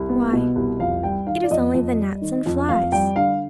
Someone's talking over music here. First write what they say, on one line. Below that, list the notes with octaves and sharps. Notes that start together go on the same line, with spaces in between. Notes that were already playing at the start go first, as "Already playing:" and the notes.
Why, it is only the gnats and flies.
Already playing: C2
B3
B2
C2
F2 F5
G3 G5
D#3 F5
D5
F2 D#5
F2
G3
D#3
F2
F2 F5
G3 G5
D3 F5